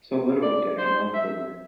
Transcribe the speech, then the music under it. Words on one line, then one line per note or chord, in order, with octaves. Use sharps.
So little did I know of the world!
D5
C5
E5